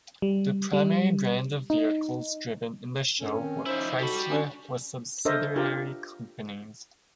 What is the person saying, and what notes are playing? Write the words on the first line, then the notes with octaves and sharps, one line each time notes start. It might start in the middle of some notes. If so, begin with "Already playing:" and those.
The primary brand of vehicles driven in the show were Chrysler or subsidiary companies.
G3
G3
D#4
G2 C#4 A4
D#3 C4
F3 D#4 E4 C5
F#4 G4 A4 B5
C#4 D4
D4 A4 A#4 C5 D#5 E5
D4 F4 G4 A#4